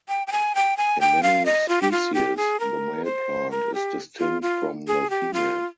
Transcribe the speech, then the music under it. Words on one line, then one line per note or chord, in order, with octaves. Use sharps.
In many species, the male plant is distinct from the female.
G5
G5
G#5
G5
G#5
G5
F5
D#5
F4
G4
F4
G4
G#4
A#4
C5
A#4
G4
F4
F4
G#4
G4
F4